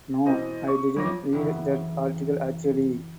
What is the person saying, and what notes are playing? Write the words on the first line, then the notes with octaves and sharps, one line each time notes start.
No, I didn't read that article actually.
B2 E3 C4 D#5
C#6
F2 F3 C#5 D6 A#6
F#1 E3 C#4 E4